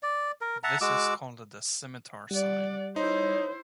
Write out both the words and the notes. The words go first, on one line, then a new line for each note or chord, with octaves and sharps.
This is called the Scimitar Sign.
D5
A#4
E5 F#5 A5 A#5
G#3 F#4 D6 E6
G3 D5 F#5
D#4 E4 C5 C#5